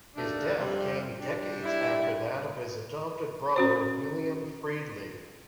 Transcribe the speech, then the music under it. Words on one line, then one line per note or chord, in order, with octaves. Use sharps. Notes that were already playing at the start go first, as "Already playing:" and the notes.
His death came decades after that of his adopted brother, William Friedlieb.
D#2 A3 D4
F2 C3 G3
G3 D4
E4
C#4 F#4 C5